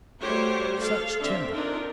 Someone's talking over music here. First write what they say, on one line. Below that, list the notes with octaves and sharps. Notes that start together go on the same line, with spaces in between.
Such timber!
G3 A3 F#4 G4 C5 C#5
A4 F5
D3 C4 E5
C4 D4 D#4 F4 A#4